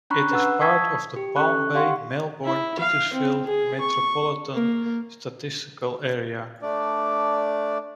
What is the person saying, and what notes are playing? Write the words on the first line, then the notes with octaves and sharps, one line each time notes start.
It is part of the Palm Bay-Melbourne-Titusville Metropolitan Statistical Area.
C#4 D4 A#5 B5 C#6 F#6
B4 F#5 E6
A5 C#6 D#6 E6 G#6 B6
G4
C#4 A4 C#6 F#6
G4 F5 F#5 C6 C#6
E4
F5
C4
G#4
C#6
A#3
A3 D4 D5